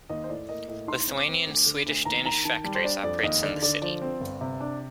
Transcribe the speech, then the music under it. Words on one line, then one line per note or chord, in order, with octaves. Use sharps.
Lithuanian, Swedish, Danish factories operates in the city.
D#2 D#5
C5
A2 D5
A#3 D#5
A2 D#5
D#4 C6
C4
D6
C4
D2
D3
D2
D#2 A#5
D#3 A#5
D#3 A5
G3 A5
C5
D4 D5
F2 D5
D#2 D#5
D3 D5
D3 D5
F3 D5
C4
G1
C3
D4